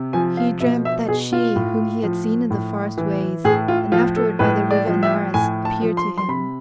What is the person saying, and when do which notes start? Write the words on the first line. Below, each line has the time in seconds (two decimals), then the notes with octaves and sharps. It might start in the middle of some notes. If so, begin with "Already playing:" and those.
He dreamt that she whom he had seen in the forest ways and afterward by the River Anaurus appeared to him.
Already playing: C3
0.13 F3 G#5
0.37 F5
0.60 B2 E5
0.85 E5
1.08 B2 G#4
1.33 F4
1.56 A2
2.03 F3
2.51 A2
2.98 E3
3.45 A2 G#4
3.68 F4
3.92 F3 F4
4.16 A4
4.39 A2 B4
4.71 D5
4.87 F3
5.03 E5
5.34 A2 G#5
5.65 A5
5.82 F3
5.97 C6
6.18 C6
6.28 C3 B5